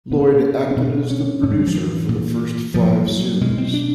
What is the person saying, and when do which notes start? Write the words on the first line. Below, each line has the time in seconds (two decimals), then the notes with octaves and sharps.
Lloyd acted as the producer for the first five series.
0.11 A#2 B3
0.71 C#4
0.76 B2 C4
1.10 C#4
1.43 A2 C#4
1.51 G#3
1.59 G3
1.67 F3
1.75 E3
2.09 A#2
2.74 A#2 F3
3.08 F#3
3.41 B2 G#3
3.58 C4
3.74 D4